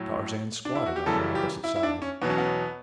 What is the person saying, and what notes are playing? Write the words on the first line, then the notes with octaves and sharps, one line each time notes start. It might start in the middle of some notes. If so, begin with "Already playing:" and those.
Tarzan squatted on the opposite side.
Already playing: A2 F#3
D4
E4
F#4
G4
F#2 C#3 E3 G3 A4
G4
E4
E4
D4
C#4
E2 B2 F#3 B3
C#4
B3